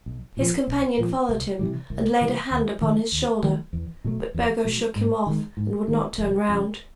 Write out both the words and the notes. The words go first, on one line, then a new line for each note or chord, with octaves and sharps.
His companion followed him, and laid a hand upon his shoulder; but Burgo shook him off, and would not turn round.
B1
A#2 F3
B1
A#2 F3
C2
C3 E3 G3
C2
C3 E3 G3
D#2
D#3 F#3 A3
D#2
D#3 F#3 A3
E2
B2 F#3 A3
E2
B2 F#3 A3
G#2
D#3 G#3
G#2
D#3 G#3
F1
F2 C#3